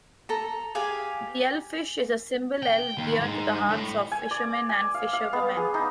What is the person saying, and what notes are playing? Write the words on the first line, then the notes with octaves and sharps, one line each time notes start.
The 'hellfish' is a symbol held dear to the hearts of Fishermen and Fisherwomen.
A4 A#5
G4 G#4 F5 G#5
G5
D#2
G#2
A2
G#5
D5
G#5
F5
F5
B3
G#4
D#4